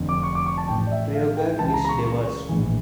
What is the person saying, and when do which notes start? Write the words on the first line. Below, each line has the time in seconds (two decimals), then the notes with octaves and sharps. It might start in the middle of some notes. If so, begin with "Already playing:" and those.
Krueger is divorced.
Already playing: F1 F2 D3
0.09 D6
0.23 C#6
0.35 D6
0.46 C#6
0.58 A5
0.68 A1 A2 F3 G5
0.87 D5
0.92 E5
1.14 F5
1.37 G5
1.59 C#2 C#3 E3 A5
1.74 A#5
1.85 A#5
1.89 C#6
2.05 C#6
2.49 A#1 A2 E3